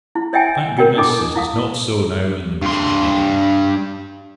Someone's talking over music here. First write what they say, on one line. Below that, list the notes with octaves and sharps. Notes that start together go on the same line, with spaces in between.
Thank goodness it is not so now in the British Navy.
E4
C#5 D#5 E5 G5 G#5
A#4 C#5 D#5 G5
D4 E4 A4 D#5 D6
E4 F5 D#6
G2 C6